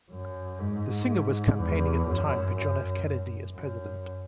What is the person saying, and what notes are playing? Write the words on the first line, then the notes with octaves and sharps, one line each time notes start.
The singer was campaigning at the time for John F. Kennedy as president.
F#2
G#2
E2
F#2
F#2
F#2